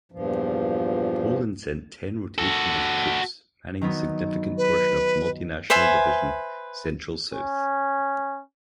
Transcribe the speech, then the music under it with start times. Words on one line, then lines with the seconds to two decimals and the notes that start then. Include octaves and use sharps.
Poland sent ten rotations of troops, manning a significant portion of Multinational Division Central-South.
0.12 E2 G2 A#2 F3
2.38 F#4 A4
3.81 D#3 F#3 B3
4.58 B4
5.70 B4 C5 E5 G#5
7.34 C#4